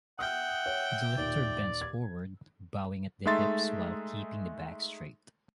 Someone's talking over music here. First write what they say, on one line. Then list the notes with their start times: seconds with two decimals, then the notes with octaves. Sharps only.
The lifter bends forward, bowing at the hips while keeping the back straight.
0.19 E5 F#5 G5 D#6 F6 G6
0.66 C#5
1.18 D#2 A#2 D5
1.81 G#6
3.26 G#3 A3 D#4 E5 C6 A6